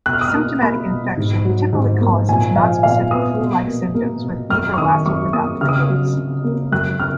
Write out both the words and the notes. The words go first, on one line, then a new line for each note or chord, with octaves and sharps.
Symptomatic infection typically causes non-specific flu-like symptoms with fever lasting for about three days.
B2 F#6
F6
D#6
F6
A#3
A#3 B5
B2
G#2
F#3
G#2
A#3
A#2 G#5
F3 F5
A#2 F5
B3 D#6
B2
A#3
A#3
B2
F#2 F6
C#6
D#3 D#6
F#2 C#6
A#3 D#6
C#3 F6
D#6
F6
F#3
C#3
A#3
F#2 F#6
C#3 F6